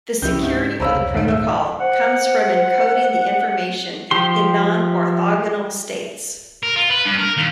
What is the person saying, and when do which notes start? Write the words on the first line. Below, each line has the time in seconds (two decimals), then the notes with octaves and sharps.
The security of the protocol comes from encoding the information in non-orthogonal states.
0.22 C#2 F3 C#4 E4 G4 G6
0.43 G#2 C4
0.80 F1 C#2 C5 C#5 F5 A#5 B5 E6
1.14 D#1 G#2 D#3 A3 D7
1.28 E5 E6
1.80 C5 F#5
4.11 F3 G4 C6
6.63 A#4
6.76 F4
6.90 B4
7.06 G2
7.18 A#4
7.38 D#2